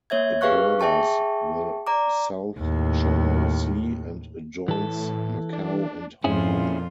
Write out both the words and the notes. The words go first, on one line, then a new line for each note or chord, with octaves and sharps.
It borders the South China Sea and adjoins Macao and Hong Kong.
A#3 C#5 E5 G#6
G4 G#4 B4 F5 C#6 F#6
G#4 E5 G5 A5 C#6
D5 A#5 D6
D#2 A2
A2 E3 A4
D4
F2 G#2 C#4 E4 F4 G#4
A#2